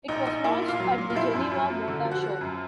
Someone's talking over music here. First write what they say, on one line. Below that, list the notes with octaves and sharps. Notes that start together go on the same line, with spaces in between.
It was launched at the Geneva Motor Show.
A#1 D#4
A#1 D#4
A#3 E4
A#2
F4
F#3
A#2
F4
F3 E4
F#2
F#2
F3
D3
F3
F#4
F3
F#2